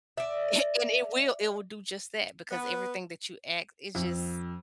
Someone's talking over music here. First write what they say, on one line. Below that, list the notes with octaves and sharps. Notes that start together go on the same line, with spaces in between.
And it will, it will do just that because everything that you ask, it just
D5 E5
B3
F2